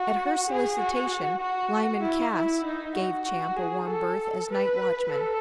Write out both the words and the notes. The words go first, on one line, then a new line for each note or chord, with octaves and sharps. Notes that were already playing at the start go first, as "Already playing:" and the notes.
At her solicitation Lyman Cass gave Champ a warm berth as night watchman.
Already playing: F#4
G#4
F#4
F#4
E4
E4
D#4
F#4
F#4
G#4
A4
B4
A4